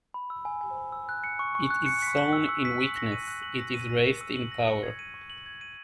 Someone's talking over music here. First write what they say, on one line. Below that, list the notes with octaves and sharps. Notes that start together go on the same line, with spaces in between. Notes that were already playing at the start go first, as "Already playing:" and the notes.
It is sown in weakness, it is raised in power.
B5
E6
G#5
G#5
B5
E6
F#6
C#7
C#6
C#6
F#6
C#7
B6
F#7
E6
E6
B6
F#7
A#6
D#7
F#6
F#7
A#6
D#7
A#6
C#7
E6
F#7
A#6
C#7
G#6
D#7
C#6
F#7
G#6
D#7